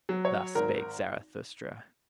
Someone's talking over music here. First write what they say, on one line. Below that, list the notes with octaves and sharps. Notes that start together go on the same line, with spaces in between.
Thus spake Zarathustra.
F#3
C#5
G#1 A#4